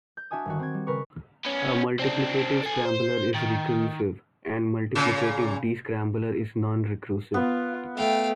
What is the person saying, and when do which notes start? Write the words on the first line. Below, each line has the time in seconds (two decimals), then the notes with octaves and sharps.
A multiplicative scrambler is recursive, and a multiplicative descrambler is non-recursive.
0.17 G6
0.31 D4 F#4 E5 G#5 D#6
0.45 G1 D#3 F#4
0.59 C4 G#6
0.74 G3
0.87 C#3 A#4 B4 C#6
1.45 B3 C#4
1.99 C4 D4
2.63 A4 G#5
2.85 C5
3.34 D#3
4.95 A#2 C#3
7.34 B3 F4
7.97 A3 F5 G5